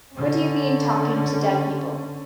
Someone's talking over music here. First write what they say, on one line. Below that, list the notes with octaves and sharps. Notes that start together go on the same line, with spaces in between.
What do you mean talking to dead people?
D3 C#4